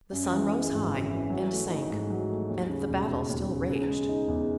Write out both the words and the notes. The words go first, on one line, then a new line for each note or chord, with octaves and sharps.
The sun rose high, and sank, and the battle still raged.
F#2
E3
G#3
G#1
F#2
E3
F#3
A3
D#4
G#2
F#3
A3
D#2
C#3
E1
E1
D#2
C#3
C#3
G#3
D#4
E2